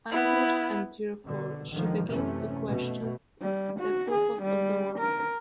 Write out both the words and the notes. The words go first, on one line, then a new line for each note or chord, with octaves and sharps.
Anguished and tearful, she begins to question the purpose of the war.
B3 E4
B2 D3
F1 D3 D#3 F3
F#2 C3 E3 A3 C#4
B2 A3
G3
F#4
G#4
G3
A#4